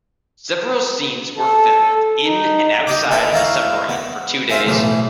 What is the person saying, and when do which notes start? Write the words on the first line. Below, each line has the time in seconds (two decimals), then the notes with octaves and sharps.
Several scenes were filmed in and outside of the submarine for two days.
1.37 A4
2.22 D#4
2.87 G4 D#5 G5 D6
3.11 D#4 E4 A4 B4 A5
3.33 E4 A#4 F5 C#6
3.89 B3
4.49 F4 C5 E5 G#5
4.66 B1 A2 E3 G#4